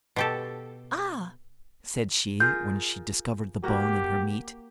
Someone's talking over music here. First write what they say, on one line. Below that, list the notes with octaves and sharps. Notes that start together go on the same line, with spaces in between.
"Ah," said she when she discovered the bone in her meat.
B2 G4 A4
F4 G#4 A#4 G6
A#3 F#4 G4